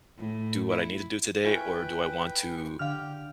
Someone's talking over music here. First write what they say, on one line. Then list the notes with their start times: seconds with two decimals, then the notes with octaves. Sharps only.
do what I need to do today?" or, "Do I want to,
0.18 A2
0.71 E4
1.44 E4 F4 B4 C#5 G5 G#5 G6
2.79 D3 G4 F5 F6